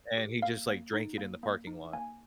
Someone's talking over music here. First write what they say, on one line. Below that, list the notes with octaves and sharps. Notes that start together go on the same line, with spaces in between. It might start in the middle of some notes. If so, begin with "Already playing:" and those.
and he just, like, drank it in the parking lot.
G4
A#3 F5
A#3
D#4
A#3
A#3
D#4
A#3 G#5